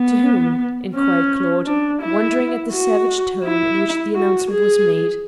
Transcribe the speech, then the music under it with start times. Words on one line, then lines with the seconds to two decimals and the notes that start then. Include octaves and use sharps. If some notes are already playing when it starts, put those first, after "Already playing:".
"To whom?" inquired Claude, wondering at the savage tone in which the announcement was made.
Already playing: B3
0.95 C#4
1.66 D4
2.02 E4
2.72 F#4
3.43 E4
4.15 F#4
4.50 G#4